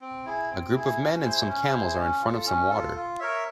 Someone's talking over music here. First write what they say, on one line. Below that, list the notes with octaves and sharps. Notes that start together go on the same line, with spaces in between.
A group of men and some camels are in front of some water.
C4
E4 G#4
C4
E4 G#4
C#4
E4 G#4 C5
C#4
E4 G#4 C5
C#4
F4 A4
C#4
F4 A4
F4
A#4 C#5 E5